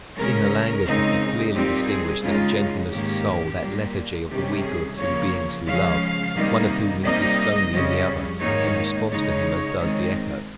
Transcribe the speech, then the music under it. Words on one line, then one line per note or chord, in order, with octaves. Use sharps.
In her languor could be clearly distinguished that gentleness of soul, that lethargy of the weaker of two beings who love, one of whom exists only in the other and responds to him as does the echo.
C#3 G#3 C#4 A#4
C#3 G#3 C4 D#4
A#2 G3 C4 D#4 G4
G#4
C#3 G#3 D#4 F4
G#2 D#3 A#3 C#4 G4
A#2 G3 A#3
C3 D#3 G3 C#4 G4
G#4
C#3 F3 A#3 C#5
C#3 F3 G#3 C#4 F5
C3 D#3 G3 A#3 D#4
C3 G3 A#3 D#4 D#5
F2 C#3 G3 C#4
G#2 D#3 A#3 D#4 C#5
C#3 G#3 D#4 C#5
D#3 G#3 C4 D#4